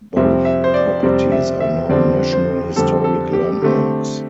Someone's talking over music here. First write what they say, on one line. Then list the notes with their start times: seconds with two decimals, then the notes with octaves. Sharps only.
Both properties are now National Historic Landmarks.
0.16 F2 C3 G3 C4 E5
0.45 E5
0.64 C5
0.74 D5
1.03 F2 C3 G3 C4 D5
1.32 E5
1.60 E5
1.89 F2 D3 G3 C4 D5
2.33 C5
2.76 F2 D3 G3 C4 A4
3.04 A4
3.33 G4
3.62 D3 A3 C4 G4